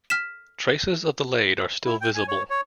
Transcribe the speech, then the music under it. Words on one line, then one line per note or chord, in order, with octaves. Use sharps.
Traces of the lade are still visible.
F6 B6 E7
E4
G5
G#5
C#5
C#5